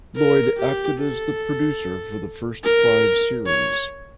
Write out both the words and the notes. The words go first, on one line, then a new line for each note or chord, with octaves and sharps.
Lloyd acted as the producer for the first five series.
A#4
G4
A4
A#4
C#5